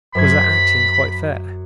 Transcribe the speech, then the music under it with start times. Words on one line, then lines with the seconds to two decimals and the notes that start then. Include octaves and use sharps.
"Was that acting quite fair?"
0.15 F#2 C5 B5 G#6